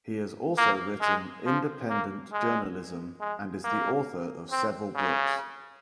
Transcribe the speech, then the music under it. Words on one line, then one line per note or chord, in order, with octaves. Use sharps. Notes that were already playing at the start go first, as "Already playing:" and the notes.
He has also written independent journalism and is the author of several books.
A#3
G#3
F3
A#3
G#3
G#3
A#3
C4
C#3